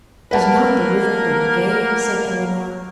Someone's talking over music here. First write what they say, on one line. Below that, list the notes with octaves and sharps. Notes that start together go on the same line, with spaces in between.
"Does not the river look gay?" said Eleanor.
A#3 A#4 B4 F#5 A5